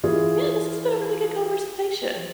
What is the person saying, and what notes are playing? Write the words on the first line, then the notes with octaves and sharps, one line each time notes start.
yeah, this has been a really good conversation.
E3 F4 G#4